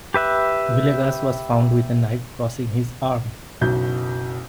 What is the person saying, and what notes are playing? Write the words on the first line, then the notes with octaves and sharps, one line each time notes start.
Villegas was found with a knife crossing his arm.
G4 B4 E5 F#6
F#1 B1 B2 G6